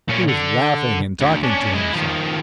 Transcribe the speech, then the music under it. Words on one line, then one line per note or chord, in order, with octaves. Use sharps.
He was laughing and talking to himself.
A#2 C#4
D3
D2
C#4 D4
G#3 E4
D#3 F3